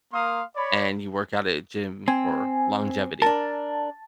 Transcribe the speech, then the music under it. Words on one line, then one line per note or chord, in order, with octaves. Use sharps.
and you work out at a gym for longevity
A#3 A#4 F5 C6 D#6
C#5 D5 B5
C4 G#5
D4 A#4 A5